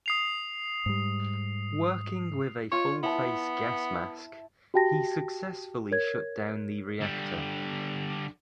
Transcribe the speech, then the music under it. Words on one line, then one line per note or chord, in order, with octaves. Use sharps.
Working with a full-face gas mask, he successfully shut down the reactor.
D#6 C7 F7
G#2 G3
F4 C#5 D#5
B3 E4 A5
F#4 G4 G5 A5 A#6
A#4 C#5 G#6
D3 G3